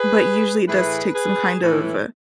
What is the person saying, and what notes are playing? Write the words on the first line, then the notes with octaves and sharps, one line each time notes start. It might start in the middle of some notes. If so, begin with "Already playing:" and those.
but usually, it does take some kind of, uh,
Already playing: G#4 B4
A2 E3 G#4 B4
G#4 B4
A2 E3